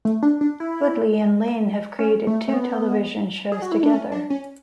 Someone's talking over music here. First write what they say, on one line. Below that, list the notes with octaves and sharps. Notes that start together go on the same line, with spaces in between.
Woodley and Lane have created two television shows together.
A3
D4
D4
E4
C#4
A3
A3
B3
G#4
F#4
E4
D4
C#4
D4
C#4